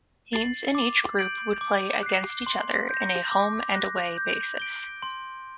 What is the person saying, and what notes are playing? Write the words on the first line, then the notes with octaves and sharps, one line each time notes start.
Teams in each group would play against each other in a home-and-away basis.
A6 C7 F#7
D6
G6 D7 F#7
D6
F#6 C7
C6
G6 A#6
D6
F#6 A#6
G6
D7 G7
C6